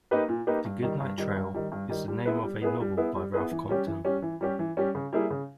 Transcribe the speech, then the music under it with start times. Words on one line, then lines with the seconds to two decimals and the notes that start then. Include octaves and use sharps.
"The Goodnight Trail" is the name of a novel by Ralph Compton.
0.11 A#3 D#4 G4 B4
0.29 A#2
0.47 A#3 D#4 G4 B4
0.65 G2
0.82 D#3 G3
1.00 G2
1.18 D#3 G3
1.36 G2
1.55 D#3 G3
1.72 G2
1.90 D#3 G3
2.08 G3
2.26 B3 E4 G#4 B4
2.43 G3
2.62 B3 E4 G#4 B4
2.80 G3
2.97 B3 E4 G#4 B4
3.15 G3
3.34 B3 E4 G#4 B4
3.51 E3
3.69 G3 C#4 G4
3.87 E3
4.04 G3 C#4 G4
4.22 E3
4.41 G3 C#4 G4
4.59 E3
4.77 G3 C#4 G4
4.95 C#3
5.13 G3 A#3 E4 G#4
5.30 C#3